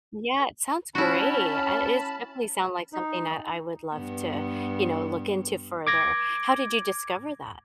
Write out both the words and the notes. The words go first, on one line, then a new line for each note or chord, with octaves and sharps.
Yeah, it sounds great, at is definitely sounds like something that I would love to, uh, you know, look into further. How did you discover that?
C#4 E4 F#4 A5 B5
D#4
G2 B3
D6 G#6 A#6